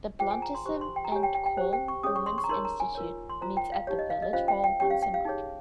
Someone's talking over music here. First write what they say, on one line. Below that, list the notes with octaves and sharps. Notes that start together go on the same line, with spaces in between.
The Bluntisham and Colne Women's Institute meets at the village hall once a month.
F4 G#4 C5 G5
G#5
A#5
C6
G4 C5 C#6
C6
G5
A#5
G4 C#5 G#5
G5
G5
G5
G4 C5
G5
C#6
C#4 G#4 C#5 D#6
C#6
C6
C#6
A#5
D#4 A#4 C#5 C6
A#5
G#5
F4 A#4 C#5
C6
F4 C5 A#5
G5
F5
D#4 G4 C#5
D#5
F5
D#5
C#4 F4 C5 F5
G5
G5
C#4 G4 C#5 G5
F5
G5
F5
D#4 G#4 C#5